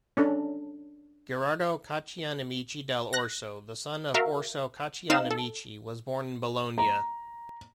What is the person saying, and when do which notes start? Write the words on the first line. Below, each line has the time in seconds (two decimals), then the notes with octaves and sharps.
Gherardo Caccianemici dal Orso, the son of Orso Caccianemici was born in Bologna.
0.17 C#4 D4 A4
3.13 F#6 A#6
4.14 F#4 A#4 E5 F5
5.10 C4 D#4 F5 E7
5.31 A4
6.78 A#5